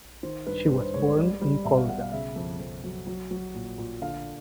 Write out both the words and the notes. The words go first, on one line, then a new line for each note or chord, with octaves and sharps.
She was born in Kolga.
D#3 C5
G2 B4
G2 C5
C5
G#3 C#5
G3 D5
G3
B2 E5
F5
B2 F#5
F5
C#3 E5
F2
F2
F#3
F#3
F#3
A#2
A#2
D3 F5